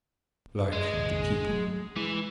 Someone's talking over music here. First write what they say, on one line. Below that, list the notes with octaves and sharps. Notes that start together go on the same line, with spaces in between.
Like the People.
G#3
F1 A#1 D#2
F#3 A3
E3 G#3